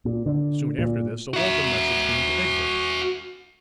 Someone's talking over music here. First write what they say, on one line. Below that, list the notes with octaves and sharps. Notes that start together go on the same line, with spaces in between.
Soon after this a welcome message came to Egbert.
A#2
D3
A#2
F#4 E5